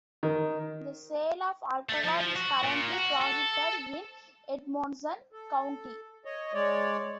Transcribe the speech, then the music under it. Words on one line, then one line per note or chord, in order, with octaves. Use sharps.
The sale of alcohol is currently prohibited in Edmonson County.
D#3
A3
F3
F3
F#4
A#2
F#4
A4
A4
C#5 D#5
G#3 C#5 D5